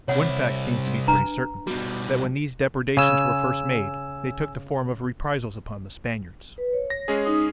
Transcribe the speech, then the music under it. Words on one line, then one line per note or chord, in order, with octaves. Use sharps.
One fact seems to be pretty certain, that when these depredations were first made, they took the form of reprisals upon the Spaniards.
C2 E4 C#5 F#5
D4 B4 A#5
B2 G3 F#4
C#3 G#5 E6
B4
C#5
A#6
G#3 C#4 G#4
D#4 D#6